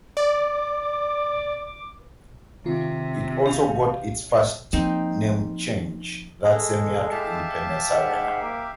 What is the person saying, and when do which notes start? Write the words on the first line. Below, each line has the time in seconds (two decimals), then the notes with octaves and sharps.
It also got its first name change that same year to Independence Arena.
0.17 D5 D6
2.66 C3 D#3 F4
3.46 G4 F5
4.73 F3 A#3 C4 D#4 C5
6.44 G#3 A4
7.12 G4 E5 F5 A5
7.90 G#2 F#5
8.41 A#3